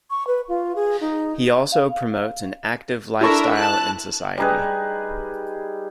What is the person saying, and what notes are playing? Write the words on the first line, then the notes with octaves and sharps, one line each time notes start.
He also promotes an active lifestyle in society.
C#6
B4
F4
G#4
D#4
F5
D4 E4 A4 A#4 E5 C#6
A5 F#6
G3 D#4 G#4 B4